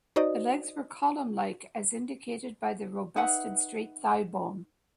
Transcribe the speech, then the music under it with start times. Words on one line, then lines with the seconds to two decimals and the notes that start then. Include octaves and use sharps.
The legs were column-like, as indicated by the robust and straight thigh bone.
0.16 D#4 F#4 C5 D5 D#5 D#6
3.16 D#4 B4 E5 F#5